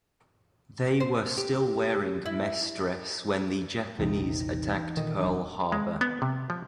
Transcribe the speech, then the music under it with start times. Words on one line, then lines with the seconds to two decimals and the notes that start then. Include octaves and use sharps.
They were still wearing mess dress when the Japanese attacked Pearl Harbor.
1.00 C5
1.37 G4
2.26 E4
3.99 A#1 E2 C3 E3 C4 D#4
4.40 A#6
4.97 A#2 D#3 A4 D#5 F#5
5.20 E1 F#3 D4 F#4 C5 D#5
5.72 G#3
6.01 B3
6.22 C3
6.50 F3